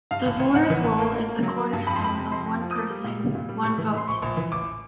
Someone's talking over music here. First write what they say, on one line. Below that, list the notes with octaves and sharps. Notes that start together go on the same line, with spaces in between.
The voters roll is the cornerstone of one person - one vote.
G2 F5
A1
A1
A1 F#5
E3
A1
A#3
A#3
A#3
F#3
A#3
G2
F2 B5
C6
F2 B5
C3
F2 C6
F2
F3
D#6
A#3 D6
G3
A#2
G3
A#2
G3
A2 C#6
E3
A2 C6
A#1 C#6
A#1
E3
A1 D6